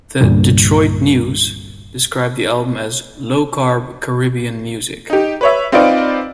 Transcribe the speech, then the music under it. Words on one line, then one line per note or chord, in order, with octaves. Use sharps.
The "Detroit News" described the album as "low-carb Caribbean music".
C2 G2 A#2 D3
D#4 G4
B4 C#5 E5
C4 D#4 F4 B4 D5 D7